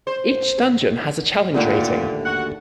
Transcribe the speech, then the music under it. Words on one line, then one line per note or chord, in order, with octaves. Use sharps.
Each dungeon has a "challenge rating".
C5
D#2 A#2 D3 A3
F#4 F#5